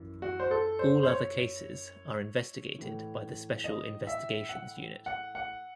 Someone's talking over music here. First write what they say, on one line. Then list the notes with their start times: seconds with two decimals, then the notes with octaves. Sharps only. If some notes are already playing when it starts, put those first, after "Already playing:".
All other cases are investigated by the Special Investigations Unit.
Already playing: F#2 E3
0.22 F#4
0.40 C5
0.51 A4
0.79 C5
1.03 C5
1.08 C#5
2.79 A2 E3
3.64 D#5
4.07 E5
4.49 F#5
5.06 F#5
5.35 F#5